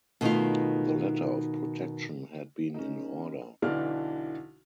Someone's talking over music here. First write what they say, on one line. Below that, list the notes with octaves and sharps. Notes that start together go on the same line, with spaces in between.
The letter of protection had been in order.
B2 D#3 A3 D#4 F4
C#4 D#4
B1 D3 E3 D5 F6